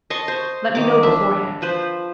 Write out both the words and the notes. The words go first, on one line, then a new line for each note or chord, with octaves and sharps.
Let me know beforehand....
D#5 A5 C6 C#6
C5
D#3 D6
D4 E5
F3 B4 C5